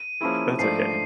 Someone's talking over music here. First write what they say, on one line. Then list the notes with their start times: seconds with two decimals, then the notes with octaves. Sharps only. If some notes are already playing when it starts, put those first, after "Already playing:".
That's okay.
Already playing: D#7
0.21 F3 A#3 C#4 E4 G#4
0.59 G#2 F3 A3 D4 C7